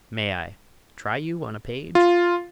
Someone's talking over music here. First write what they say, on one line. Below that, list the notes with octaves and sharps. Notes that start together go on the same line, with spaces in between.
"May I try you on a page?"
F4